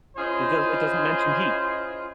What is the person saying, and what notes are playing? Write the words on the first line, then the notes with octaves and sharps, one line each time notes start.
It does it doesn't mention heat.
C#4 E4 F4 G#4 C5 D#5